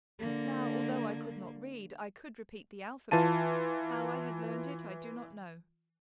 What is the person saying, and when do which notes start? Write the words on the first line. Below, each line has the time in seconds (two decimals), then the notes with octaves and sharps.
Now, although I could not read, I could repeat the alphabet; how I had learned it I do not know.
0.19 D3 A#3
3.11 E3 F4 A5 D#7